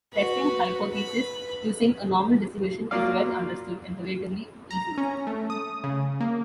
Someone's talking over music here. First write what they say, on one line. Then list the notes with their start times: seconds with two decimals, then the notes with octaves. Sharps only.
Testing hypotheses using a normal distribution is well understood and relatively easy.
0.12 F#4 B4
0.91 B4 B5
2.91 F#3 A#3 F4 D5 F5
4.71 A#5
4.98 C#4
5.27 A3
5.50 D#6
5.84 C#3
6.20 A#3